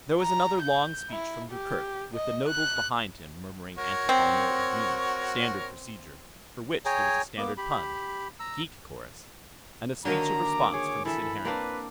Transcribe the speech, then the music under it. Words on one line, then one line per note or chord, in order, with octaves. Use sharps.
There was another long speech from Gurgurk, with the nobles behind him murmuring antiphonal agreement--standard procedure, for which there was a standard pun, geek chorus--and a speech of response from Sid Harrington.
A#5
G6
E4
G4
D#5
F#6
F#4 A#4 C#5
C4
G#4 C#5 G5 G#5 A#5
A#3 B3 D6
G4 B5
A#5 E6
D3 D#3 F#3 A#3 A#4 A#5
D6
G#4 C#5
E3 A4 E5 B5
A#3 C4 D4 B4